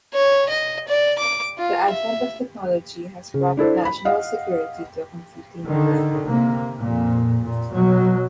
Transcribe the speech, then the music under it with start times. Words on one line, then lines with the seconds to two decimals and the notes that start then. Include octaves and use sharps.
The advent of technology has brought national security to a completely new level.
0.14 C#5
0.49 D#5
0.88 D5
1.19 D6
1.59 F4
1.90 E5
3.34 C#3
3.57 D4 E4 A4 C5
3.85 B5
4.05 D#5 F5 F#5
5.68 D3 D#3
6.25 C3 A#3
6.78 F2 A#2
7.43 A#2
7.74 B2 F#3